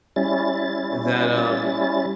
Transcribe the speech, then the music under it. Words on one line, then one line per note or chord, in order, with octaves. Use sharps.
that, um,
G3 C#4 E4 A6